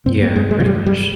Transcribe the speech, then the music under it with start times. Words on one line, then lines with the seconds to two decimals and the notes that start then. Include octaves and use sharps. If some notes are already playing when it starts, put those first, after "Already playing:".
Yeah, pretty much.
0.06 G2 C4
0.21 A#3
0.36 G#3
0.51 G#3
0.60 F3
0.66 G3
0.86 G3